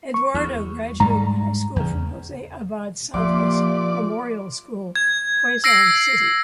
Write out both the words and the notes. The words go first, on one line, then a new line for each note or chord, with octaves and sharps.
Eduardo graduated high school from Jose Abad Santos Memorial School, Quezon City.
C#6
E2
G#2 G3 A#5
E2 C#3
A#2 F3 G4 D5 E5 C6
G#6
E6 A#6 C7 D7